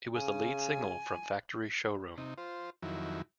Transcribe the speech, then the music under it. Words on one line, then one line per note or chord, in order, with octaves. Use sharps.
It was the lead single from "Factory Showroom".
C#3 G#5
C3 D#4
F4 C5
F2 D#3 F#3 E4